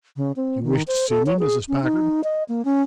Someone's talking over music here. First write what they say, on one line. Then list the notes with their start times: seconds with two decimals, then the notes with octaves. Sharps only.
"You wish to see me, Mrs. Packard?"
0.17 C#3
0.36 C4
0.63 D#3
0.88 C5
1.09 A4
1.26 C#5
1.39 G#4
1.68 C#4
1.83 D#4
2.24 D#5
2.49 A#3
2.65 C#4